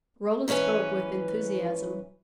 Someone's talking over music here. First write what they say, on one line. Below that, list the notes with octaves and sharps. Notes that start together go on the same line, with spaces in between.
Rollin spoke with enthusiasm.
G#2 E3 C#4 B4 G#5